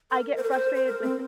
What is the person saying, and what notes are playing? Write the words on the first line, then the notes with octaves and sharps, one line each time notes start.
I get frustrated with it
A#4
C5
A#4
C5
C5
A#4
C4